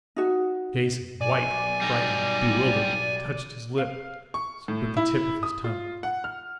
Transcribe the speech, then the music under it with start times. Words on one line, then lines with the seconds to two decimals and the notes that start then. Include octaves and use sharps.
Jason, white, frightened, bewildered, touched his lips with the tip of his tongue.
0.16 D#4 F#4
1.21 B1 D5 G#5
1.82 G3 D#4
3.78 F5
4.34 C#6
4.68 A2
4.97 E4
5.43 D#6
5.64 F4
6.03 F#5
6.24 F6